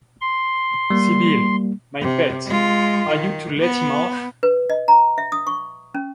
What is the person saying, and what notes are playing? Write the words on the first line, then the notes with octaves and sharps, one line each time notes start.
Sybil, my pet, are you to let him off?
C6
G3 A#3
C3
G#3 F4
D#3
B3
B4
D#5
A#5
E5
D#6
C#6
C#4